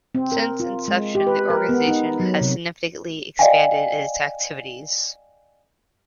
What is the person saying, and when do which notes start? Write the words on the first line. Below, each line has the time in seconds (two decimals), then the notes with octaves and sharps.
Since inception, the organization has significantly expanded its activities.
0.15 C4
0.32 A#4
0.60 F4
0.88 G#3
1.15 G4
1.27 B4
1.50 A#4
1.69 B3
1.88 D#4
2.20 F#3
2.41 C3
3.39 D5 D#5 F5 G5 G#5